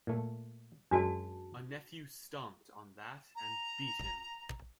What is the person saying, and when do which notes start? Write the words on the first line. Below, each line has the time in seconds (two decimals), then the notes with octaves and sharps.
A nephew stomped on that and beat him.
0.07 A#2 A3
0.91 F#2 G#3 D4 F#4 A5
3.36 A#5